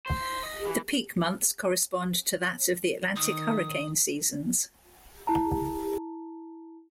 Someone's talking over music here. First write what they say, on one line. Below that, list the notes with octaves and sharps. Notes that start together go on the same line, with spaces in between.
The peak months correspond to that of the Atlantic hurricane seasons.
C5
D#5
E3
D#3 D#6
E4 A5 A#5